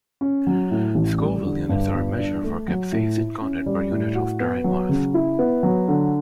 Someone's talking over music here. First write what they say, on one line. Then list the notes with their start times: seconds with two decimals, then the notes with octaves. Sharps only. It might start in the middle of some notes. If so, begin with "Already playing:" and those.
Scoville units are a measure for capsaicin content per unit of dry mass.
0.21 C#4
0.47 F#3
0.71 A2
0.95 A1
1.20 G3
1.44 D3
1.69 G2
1.93 G1
2.18 D4
2.44 A3
2.68 F#3
2.92 A2
3.17 E4
3.41 C#4
3.66 G3
3.91 A2
4.15 F#4
4.40 B3
4.64 F#3
4.89 C#3
5.14 E4
5.39 B3
5.63 F#3
5.88 D3